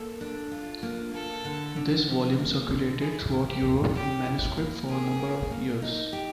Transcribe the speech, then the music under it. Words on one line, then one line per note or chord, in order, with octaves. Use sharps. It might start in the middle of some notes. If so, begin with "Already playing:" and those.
This volume circulated throughout Europe in manuscript for a number of years.
Already playing: A#3 A4
D4
F4
A#3
A#3 A4
D3
D3
F3
A#3
D3
E4 G#4
A#3
G4
G#4
C#4 G4
E4
A#3
G4 G#4
A#3
A#3
D#4
G4